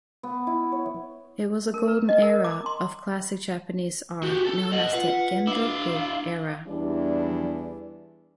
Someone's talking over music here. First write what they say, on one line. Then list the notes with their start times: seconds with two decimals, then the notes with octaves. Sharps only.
It was a golden era of classic Japanese art, known as the "Genroku era".
0.23 B3
0.47 E4
0.72 C#5
1.74 A#4
1.88 B4
2.09 D#5
2.22 A#4
2.45 D6
2.66 C6
4.23 F#4 G4
4.46 A4
4.72 D#5 F#5
4.93 F4 B4 F#5
5.47 D4 E4 F5
6.68 E2 E3 G3 D4